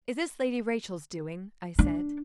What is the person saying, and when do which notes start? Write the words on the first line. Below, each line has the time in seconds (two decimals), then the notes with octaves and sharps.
"Is this Lady Rachel's doing?" I said.
1.79 D4